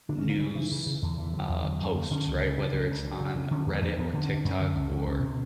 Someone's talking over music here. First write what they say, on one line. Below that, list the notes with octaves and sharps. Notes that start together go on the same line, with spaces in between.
news, uh, posts, right? Whether it's on Reddit or TikTok or,
D3 D4
C#4
D3
A#3
C#3 G3
C#3 E3
C#3
C#3
E2 D3
D3 E3
D3 F#3
E2
D3 F#3
F#2
D3 A#3
D3 C#4
C#2
C#3
C#3 D4
C#2
D2
D2
C#3
C#3
D3 C#4
E2 A#3
E2 A#3
E2 B3
D3 A#3
C#4
D3
D4
F#2 C#4
D3
C#2 C#4
C#2 C#4
C#2 C#4
B2